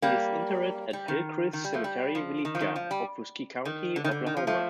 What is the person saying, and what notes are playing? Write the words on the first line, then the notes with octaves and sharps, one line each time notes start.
He is interred at Hillcrest Cemetery Weleetka, Okfuskee County, Oklahoma.
G3 A#3
G3
D#3
D#3
G3
F3 A3
G3
F3
D#3
F3
D#3
F3
G3
D#3
D3
D#3
D3
D#3
F3
F3 A3